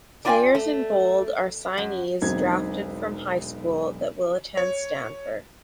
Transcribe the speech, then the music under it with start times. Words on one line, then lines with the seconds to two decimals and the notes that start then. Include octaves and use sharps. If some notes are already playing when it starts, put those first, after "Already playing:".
Players in bold are signees drafted from high school that will attend Stanford.
0.25 D4 F4 D5 E5 G5 G#5
0.55 A3
1.78 F#2
2.21 E1 B1 C4 D#4 G#6
4.57 C#5